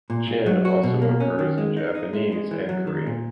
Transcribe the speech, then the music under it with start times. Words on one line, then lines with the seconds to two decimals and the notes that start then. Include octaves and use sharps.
"Jin" also occurs in Japanese and Korean.
0.10 A#2
0.27 A#2
0.46 F#3
0.65 F#4
0.83 B2
1.02 A#3
1.20 C#4
1.39 D#3
1.58 G#3
1.77 D#4
1.95 D#4
2.13 G#3
2.32 G#3
2.51 E3
2.69 F#3
2.87 D#3
3.07 A#2